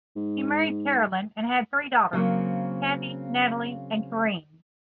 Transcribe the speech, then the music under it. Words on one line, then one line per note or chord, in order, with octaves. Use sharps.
He married Carolyn and had three daughters; Kathie, Natalie and Karine.
G#2
C#3 F#3 A#3 C4